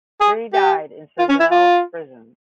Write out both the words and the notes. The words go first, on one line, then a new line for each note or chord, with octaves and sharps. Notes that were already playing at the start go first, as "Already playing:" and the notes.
Three died in Seville prisons.
G#4
G4
F4
C#4
E4
F4